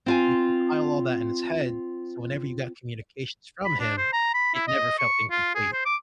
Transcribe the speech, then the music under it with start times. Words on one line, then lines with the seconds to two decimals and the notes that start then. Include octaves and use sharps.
he'd compile all that in his head, so whenever you got communications from him, it never felt incomplete.
0.06 C4 F4 G#5
3.65 B5
3.80 D4
3.97 C5
4.12 A#5
4.34 B5
4.54 E4
4.68 D#5
4.99 C#6
5.30 F4
5.55 G#4
5.73 C5
5.85 D6